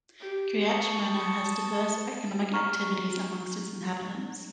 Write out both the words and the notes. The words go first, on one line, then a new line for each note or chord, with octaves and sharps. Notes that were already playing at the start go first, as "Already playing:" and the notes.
Kiryat Shmona has diverse economic activities among its inhabitants.
G4
A5 C#6 D#6
A#5 C#6 F6